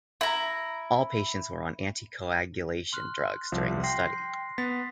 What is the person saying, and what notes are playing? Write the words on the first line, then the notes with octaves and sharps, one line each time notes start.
All patients were on anticoagulation drugs during the study.
E4 A#5
C6 F6 F#6
C2 F3
G5 C6 A#6 C7
B3 A6 B6